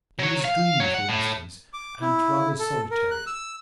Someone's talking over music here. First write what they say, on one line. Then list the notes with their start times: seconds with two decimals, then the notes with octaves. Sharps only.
He was dreamy, for instance, and rather solitary.
0.19 F#3 C#5
0.45 F5
0.80 F#3 C#5
0.94 F#5
1.09 A2
1.73 D6
2.01 E4
2.59 A4
2.91 A#4
3.11 F#6
3.27 E6